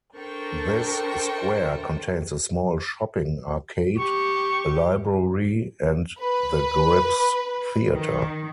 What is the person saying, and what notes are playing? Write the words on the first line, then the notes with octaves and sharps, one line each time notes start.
This square contains a small shopping arcade, a library and the Grips-Theater.
D4 A4 A#4 C5 G5 C#6
G4 C#6
B4
D#3